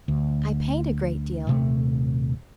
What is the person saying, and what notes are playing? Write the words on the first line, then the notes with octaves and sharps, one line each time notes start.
'I paint a great deal.
D2
D#1 C3 A3